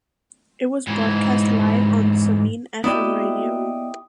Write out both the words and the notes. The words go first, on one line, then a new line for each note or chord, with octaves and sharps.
It was broadcast live on Zamin Fm radio.
G#2 E3
A#3 B3 E4 F#4 G4 D5 D#5 D#6